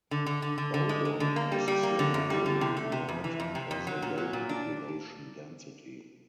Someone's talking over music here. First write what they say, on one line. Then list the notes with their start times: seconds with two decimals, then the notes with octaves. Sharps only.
Bowdon is a semi-rural ward and has a low population density.
0.11 D3
0.26 D3
0.42 D3
0.58 D3
0.74 D3
0.89 G#3
1.05 G#3
1.20 D3
1.36 A#3
1.52 G3
1.68 G3
1.83 A#3
1.99 D3
2.14 F#2
2.30 G3
2.46 D3
2.61 C3
2.77 A3
2.92 C3
3.09 F2
3.24 E3
3.40 F2
3.55 C3
3.71 F2
3.87 F#3
4.02 A#2
4.18 F#3
4.33 A#2
4.49 D4